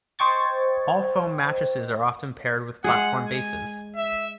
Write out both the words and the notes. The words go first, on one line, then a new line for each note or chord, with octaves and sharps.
All-foam mattresses are often paired with platform bases.
C5 D#5 G5 C#6 G#6 A6
G#3 G#4 F#5
G#5
E5